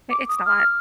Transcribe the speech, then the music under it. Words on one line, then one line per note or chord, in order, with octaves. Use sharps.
I it's not.
D6
D#6
F6